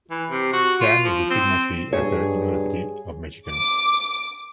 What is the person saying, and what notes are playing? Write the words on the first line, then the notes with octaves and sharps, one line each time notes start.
Dann was a Sigma Chi at the University of Michigan.
E3
C3
F#4
F4
F3
C4
G2 G#4 C#5
D6